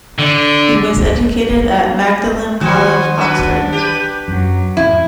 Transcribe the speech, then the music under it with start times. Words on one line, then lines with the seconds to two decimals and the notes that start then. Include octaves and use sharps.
He was educated at Magdalen College, Oxford.
0.19 D3
2.61 D#3 F3 F#4 C5 G#5 C#6
3.18 D4 F#4 B4
3.72 G4 B4
4.28 F#2 F#3
4.77 F2 A2 E4